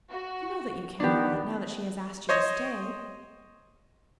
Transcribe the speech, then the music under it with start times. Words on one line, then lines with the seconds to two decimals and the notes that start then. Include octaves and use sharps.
"You know that you cannot, now that she has asked you to stay."
0.10 F#4
1.00 D#3 B3 D4 G4
2.29 C5 C#5 D#5